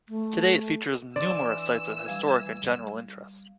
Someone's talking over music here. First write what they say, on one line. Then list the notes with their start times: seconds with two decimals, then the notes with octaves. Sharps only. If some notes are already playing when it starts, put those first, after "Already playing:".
Today, it features numerous sites of historic and general interest.
0.09 A3
1.16 E3 D4 D5 C6 E6
2.06 G3 F5 G#6